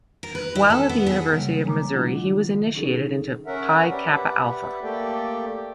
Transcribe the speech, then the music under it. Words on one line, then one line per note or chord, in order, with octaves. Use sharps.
While at the University of Missouri, he was initiated into Pi Kappa Alpha.
A#4
B4
E4
A4
B3
G#4
C#3 E3 F#3 G3 A#3 B3
G#3 A#5 D6
D#3 F#3 D4 E4 F4
C#4 D#4 G#4 A4
C#4 A#4 E5 F#5
G4 B4 D5 E5 F#5
A3 A#3 G4 A4 D5 G5